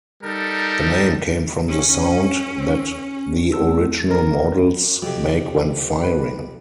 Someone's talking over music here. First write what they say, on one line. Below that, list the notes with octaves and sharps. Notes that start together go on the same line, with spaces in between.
The name came from the sound that the original models make when firing.
G3 D#4 A4 A#4
C#4
A3 C4 E4
A#4
F2 C3 F#3
B4